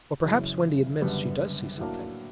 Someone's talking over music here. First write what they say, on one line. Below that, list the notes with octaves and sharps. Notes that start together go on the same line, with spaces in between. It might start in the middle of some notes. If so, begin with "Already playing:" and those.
Or perhaps Wendy admits she does see something.
F#1 F#2 C#3 E3
F#1 F#2 D3 G3 B3
A2 F#3 A#3 D4